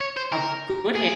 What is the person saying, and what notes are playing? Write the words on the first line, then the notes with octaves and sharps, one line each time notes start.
a good
C#5
C5
A#4
G#4